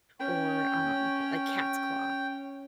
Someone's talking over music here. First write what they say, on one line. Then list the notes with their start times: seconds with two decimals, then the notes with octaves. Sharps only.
or, um, like, cat's claw,
0.20 C#4 C#5 G5